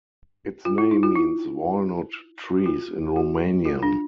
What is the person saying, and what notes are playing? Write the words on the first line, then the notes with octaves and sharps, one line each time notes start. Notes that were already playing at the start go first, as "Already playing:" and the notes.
Its name means "walnut trees" in Romanian.
F4
E4
D#4
E4
F4
E4
F#4
F4
F#4
F4
D4